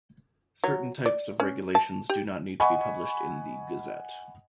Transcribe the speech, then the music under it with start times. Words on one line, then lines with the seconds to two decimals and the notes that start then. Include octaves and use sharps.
Certain types of regulations do not need to be published in the "Gazette".
0.64 F#3
1.06 D5
1.40 C#4
1.75 A5
2.10 G4
2.60 D#5 F#5 G#5 B5 C#6